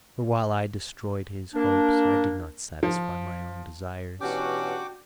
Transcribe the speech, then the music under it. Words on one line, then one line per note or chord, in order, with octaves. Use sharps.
For while I destroyed his hopes, I did not satisfy my own desires.
A#3 D4
F3
B2 E3 C#4 D4 F#4 G4 G5 D6